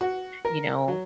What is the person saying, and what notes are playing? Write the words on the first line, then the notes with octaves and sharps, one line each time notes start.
you know
F#4
A#4
F#3